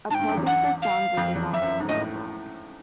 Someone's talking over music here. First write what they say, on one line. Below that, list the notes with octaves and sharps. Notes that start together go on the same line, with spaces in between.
A plugin for Songbird is also available.
G#2 A5
G2 G5
F#2
E2
F#5
F5
F2
E2
F2 E5
F#2
G#2
A2 D#5